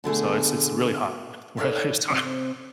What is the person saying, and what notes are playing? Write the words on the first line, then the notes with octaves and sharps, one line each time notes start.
so, it's it's really hot where I live, so
B2 D3 A3 G#4
D#4 A4 B4 C#5 D5 E5
C3 C4